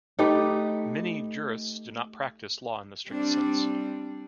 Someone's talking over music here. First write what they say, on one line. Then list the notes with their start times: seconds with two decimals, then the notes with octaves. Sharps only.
Many jurists do not practice law in the strict sense.
0.19 A3 D#4 G4 B4
3.09 G3 C4 D4